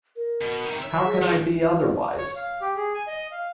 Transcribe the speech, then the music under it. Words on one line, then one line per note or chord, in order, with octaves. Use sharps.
How can I be otherwise?
A#4
B2
C3 D#3
C#5 E5
G#4
E3 A3
C#5
F5
G4
G#4
G#5
D#5
F5